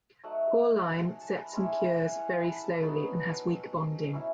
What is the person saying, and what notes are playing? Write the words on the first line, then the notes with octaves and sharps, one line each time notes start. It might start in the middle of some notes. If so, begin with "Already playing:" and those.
Poor lime sets and cures very slowly and has weak bonding.
F#3 A3 D#4 F#5
F#5
G#5
A5
B5
G#3 C#4 E4 B5
G#5
F#5
G#5
F#5
B5
A5
F#3 B3 D#4 B5
F#3 C#4 E4